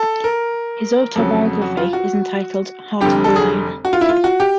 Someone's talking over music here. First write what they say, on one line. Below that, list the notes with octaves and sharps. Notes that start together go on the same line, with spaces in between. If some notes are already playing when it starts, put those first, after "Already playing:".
His autobiography is entitled "Heart of the Lion".
Already playing: A4
A#4
F2 C#3 F#3 A4
F#4
F4
F#4
F1 F2 D3 G3 G4
A4
G#4
F#4
F4
E4
F4
F#4
G4